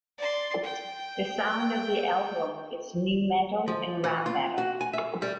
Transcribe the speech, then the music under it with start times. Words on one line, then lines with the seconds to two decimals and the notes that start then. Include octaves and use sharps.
The sound of the album is nu metal and rap metal.
0.18 D5 C6
0.64 G5
3.68 F3
4.04 E3
4.26 F4
4.58 F#4
4.81 G#5
4.93 E5
5.22 G3